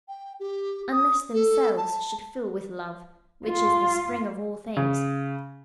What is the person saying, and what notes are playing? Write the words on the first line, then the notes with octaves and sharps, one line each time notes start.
Unless themselves should fill with love, which is the spring of all things.
G5
G4
D#6
A4
A5
F4
C#3